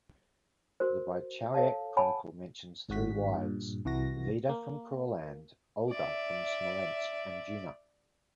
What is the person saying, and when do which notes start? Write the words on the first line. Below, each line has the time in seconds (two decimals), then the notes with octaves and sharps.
The Bychowiec Chronicle mentions three wives: Vida from Courland, Olga from Smolensk, and Jewna.
0.80 F#4 A#4 C5
1.54 A4 C#5 F5 A5
1.97 C#5 F#5 G#5 A5 B5
2.89 G#1 G#2 F#4 B6
3.34 G2 A#2
3.85 C2 E3 F#4 A#6
4.49 A#3
5.90 D5 E5